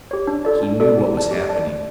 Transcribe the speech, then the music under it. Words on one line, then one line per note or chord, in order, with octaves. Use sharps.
He knew what was happening....
G4 C#5
D4
F4 A4 D5
D4
F4 A4 D5
G4
D5 A5
G4
D5 A5
A3